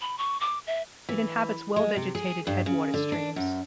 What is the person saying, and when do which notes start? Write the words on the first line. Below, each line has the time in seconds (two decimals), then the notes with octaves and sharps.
It inhabits well vegetated headwater streams.
0.01 B5
0.18 C#6
0.40 D6
0.67 E5
1.09 E3
1.76 G#3
1.96 C3
2.15 G#4
2.47 G2
2.66 C#3
2.94 D3
3.12 D4
3.36 F#2